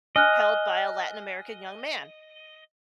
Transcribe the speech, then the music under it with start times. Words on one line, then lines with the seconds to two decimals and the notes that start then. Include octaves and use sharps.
held by a Latin American young man.
0.16 D#5 G#5 F6 F#6